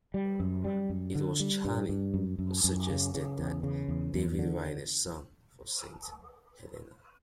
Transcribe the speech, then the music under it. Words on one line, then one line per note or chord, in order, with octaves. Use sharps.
It was Charlie who suggested that Dave write a song for Saint Helena.
G3
F#2
G3
F#2
D3
G3
G2
G2
F#2
F#2
F#2
C#3
C#3
E2
C#3
E2
E2
D3